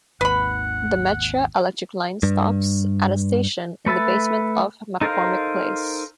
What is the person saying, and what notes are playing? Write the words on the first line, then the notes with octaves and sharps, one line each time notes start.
The Metra Electric Line stops at a station in the basement of McCormick Place.
G#1 D#2 B4 F#5 B5
G2
A3 B4 E5 A5
D#4 A4 A#4 C5 F5